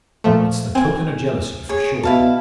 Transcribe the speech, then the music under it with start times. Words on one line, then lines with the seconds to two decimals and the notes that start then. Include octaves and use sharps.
It's the token o' jealousy for sure.
0.24 A#2 F3 A3
0.75 C4 G#5
1.69 G#4 C#5
2.03 B2 E4 F5 A5